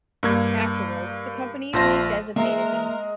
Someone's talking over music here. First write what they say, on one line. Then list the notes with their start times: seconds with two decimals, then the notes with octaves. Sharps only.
Afterwards, the company redesignated them.
0.23 G2 A#3 G#6
1.73 A#1 F4 C5 A5 A#6
2.36 G#3 A#3 A#4 E5 A#5